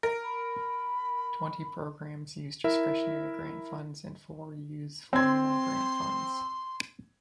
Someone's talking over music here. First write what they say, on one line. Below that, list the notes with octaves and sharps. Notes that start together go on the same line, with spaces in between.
Twenty programs use discretionary grant funds and four use formula grant funds.
A#4
B5
E4 A#4 E5
C4 C6 G#6